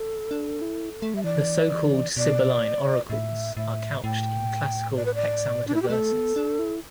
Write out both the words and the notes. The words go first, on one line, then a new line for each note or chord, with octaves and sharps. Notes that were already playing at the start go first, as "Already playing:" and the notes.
The so-called Sibylline oracles are couched in classical hexameter verses.
Already playing: A4
D4
E4
A3
G3 E5
E3 D5
B2 D5
A2 E5
A2 E5
A2 G5
D5
B4
D5
D4
E4
G4
A3 A4
B3
D4
E4